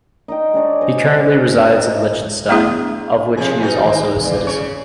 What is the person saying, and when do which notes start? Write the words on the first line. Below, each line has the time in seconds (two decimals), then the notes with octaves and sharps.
He currently resides in Liechtenstein, of which he is also a citizen.
0.28 D#4 D#5 G5
0.54 G#3 D4 C#5 D5
0.81 C5 D#5
1.73 D#4
2.49 A3 B3 D4 E4 G#4
3.37 C3 F3 G#4
3.61 B2 D#4 F#4
3.84 D#3
4.22 E2
4.47 C#3 C#5